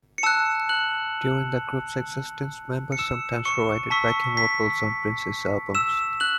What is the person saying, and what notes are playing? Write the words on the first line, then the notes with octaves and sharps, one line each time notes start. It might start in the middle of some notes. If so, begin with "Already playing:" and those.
During the group's existence, members sometimes provided backing vocals on Prince's albums.
C#7
A5 E6 F#6 E7
F#6 F#7
C#7
E6 E7
C#6 C#7
A5 C#6 E6 B6
B6
E6 E7
F#6 F#7